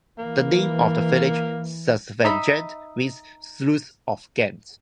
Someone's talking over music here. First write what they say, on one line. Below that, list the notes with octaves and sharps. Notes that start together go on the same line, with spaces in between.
The name of the village, "Sas van Gent", means "sluice of Ghent".
E3 A#3
D#4 E5 B5